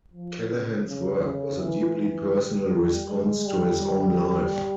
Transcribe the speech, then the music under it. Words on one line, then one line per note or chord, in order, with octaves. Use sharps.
Callahan's work was a deeply personal response to his own life.
F3
C#3
C#3
C#3
E3
E3
G3
G#3
G3
G3